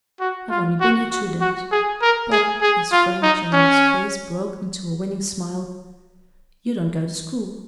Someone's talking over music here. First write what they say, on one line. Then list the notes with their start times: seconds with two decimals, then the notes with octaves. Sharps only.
I've only been here two days. But"--his frank, generous face broke into a winning smile--"you don't go to school.
0.20 F#4
0.50 F4
0.81 F#4
1.11 F#4
1.41 F#4
1.72 G#4
2.02 A#4
2.32 G#4
2.61 G#4
2.92 F4
3.23 D#4
3.53 C#4